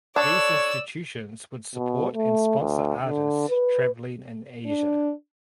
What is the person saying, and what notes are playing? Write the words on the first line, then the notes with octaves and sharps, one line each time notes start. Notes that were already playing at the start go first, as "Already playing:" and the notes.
These institutions would support and sponsor artists travelling in Asia.
D4 A4 C#5 D5 E6
B2
A3
D2
D3
B4
D4